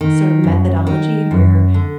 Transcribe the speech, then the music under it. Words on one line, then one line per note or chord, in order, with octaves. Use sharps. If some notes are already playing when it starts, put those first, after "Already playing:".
sort of methodology where
D#3
F#2
D#3
F#2
D3